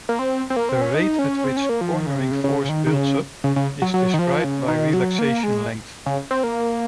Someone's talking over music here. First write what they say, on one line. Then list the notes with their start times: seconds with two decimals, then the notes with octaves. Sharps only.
The rate at which cornering force builds up is described by relaxation length.
0.09 A#3
0.19 C4
0.50 C4
0.56 A#3
0.69 C4
0.81 C#4
0.94 D#4
1.19 C#4
1.44 C4
1.57 C#4
1.69 A#3
1.81 F3
1.94 D#3
2.06 C#3
2.19 C3
2.31 C#3
2.44 C#3
2.69 D#3
2.86 D#3
2.94 C#3
3.44 C#3
3.56 C#3
3.82 F#3
3.94 F#3
4.14 D#3
4.19 F3
4.44 C#3
4.68 D#3
4.94 F#3
5.19 A#3
5.43 G#3
6.06 C#3
6.31 C4
6.44 A#3